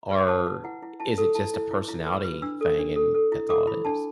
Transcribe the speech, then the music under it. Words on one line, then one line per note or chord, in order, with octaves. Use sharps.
or is it just a personality thing and that's all it is?
B4
F#5
B4 A5
B4
E4 F#5
E4
E4 A5
A4
E4 A5
E4
E4
E4
B4 B5
B4
D4 E6
A4
D4
A4
A4
E4
A4 D6
E4 B5
D4 A5